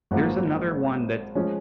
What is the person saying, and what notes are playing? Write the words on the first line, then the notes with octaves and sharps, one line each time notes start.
There's another one that's
G#1 F#2 F3 A#3 F#5
F3 G#3 C#4